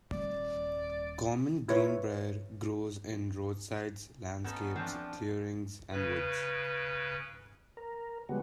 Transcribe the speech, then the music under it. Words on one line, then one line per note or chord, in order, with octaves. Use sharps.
Common greenbrier grows in roadsides, landscapes, clearings and woods.
D#1 G3 D5
E4 B4 C#5
B3 C#4 D#4 A4
F3 A3 C4 D4 F4
C#3 B4
A#4
C#3 F3 G3 G#3 B3 F#4